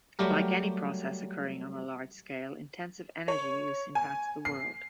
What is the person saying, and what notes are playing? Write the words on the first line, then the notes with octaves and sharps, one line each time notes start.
Like any process occurring on a large scale, intensive energy use impacts the world.
F#3 G3 A3 G4 A#4
C#5
G#5
C7